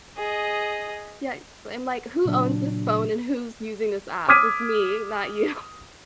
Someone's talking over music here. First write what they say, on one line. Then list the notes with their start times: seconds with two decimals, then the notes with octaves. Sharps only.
Yeah, it's I'm like, "Who owns this phone and who's using this app? It's me, not you."
0.17 G#4 D#5
2.25 A#2 C#3 F#3 D4
4.29 D6 D#6 F6 G#6 B6 D#7